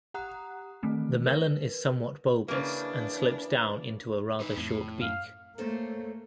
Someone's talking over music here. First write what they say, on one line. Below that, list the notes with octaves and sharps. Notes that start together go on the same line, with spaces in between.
The melon is somewhat bulbous and slopes down into a rather short beak.
G4 F#5 A#5 D#6 F#6
D#3 E3 A3 C4
A#4 B4
C#3 E3 A#3 D4
D#4 B4
F2 A2
F#2 F5
A3 A#3 A4 C5 C#5